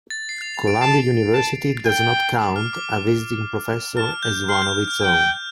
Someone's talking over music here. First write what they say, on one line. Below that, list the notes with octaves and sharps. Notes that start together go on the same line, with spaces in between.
Columbia University does not count a Visiting Professor as one of its own.
A6
C7
F7
F7
D7
A5 C7
A5
G5
D6
F6
D6
A5 F6
G6
C6 F6
G6
F6
F6
G5